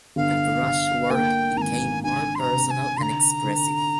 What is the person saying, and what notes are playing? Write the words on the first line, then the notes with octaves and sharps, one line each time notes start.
The brushwork became more personal and expressive.
G1 F5
G1
A#3 G#5
G5
G#1 G#5 A#5
D4 G#5
C6
A#5
C3
A#5
G#5
D3 A#5 C6
D3